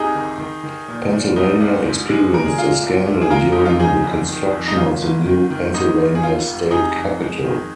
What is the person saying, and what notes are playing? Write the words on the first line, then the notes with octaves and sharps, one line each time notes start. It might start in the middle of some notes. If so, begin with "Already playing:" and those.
Pennsylvania experienced a scandal during the construction of the new Pennsylvania State Capitol.
Already playing: C2 C3 D#4 G#4
D#3
D#3
D#3
A#2
A#2
C2 D#4
C2
G#2
G#3
A#2 A#4
G#4
A#3 F4
C2
C2
G#4
G#3 F4 A#4
F2 D#4
F4
F3 D#4 G#4
C2
D#3
F2
D#4
G#1 F4
G#1
D#3
D#3
G#1 D#4
G#1
G#4
F1 F4
F1
C3 D#4 G#4
F2
G#3
D#3